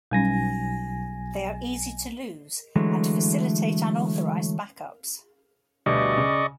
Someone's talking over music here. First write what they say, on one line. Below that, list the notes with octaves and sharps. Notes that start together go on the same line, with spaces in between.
They are easy to lose and facilitate unauthorized backups.
B1 G3 C#4 G#5 A#6
D3 E3 F#3 G#3 A3
D2 B2 G3 D5 D#5 C#6
C#3